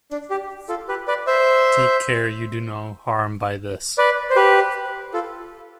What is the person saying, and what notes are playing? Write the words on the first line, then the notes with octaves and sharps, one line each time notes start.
Take care you do no harm by this.
D4
G4
F4 A4
G4 B4
B4 D5
C5 E5
B4 D5
C5
G4 B4
F4 A4